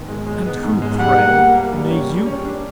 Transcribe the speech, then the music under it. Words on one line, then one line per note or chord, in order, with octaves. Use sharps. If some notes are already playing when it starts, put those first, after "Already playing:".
"And who, pray, may you be?"
Already playing: G#2 D#3 B3
G#3
G#3
B3
G#2
G#3
G3 F#5
A#3
A#3
A#3
G3
C#4
G3
C#4
D4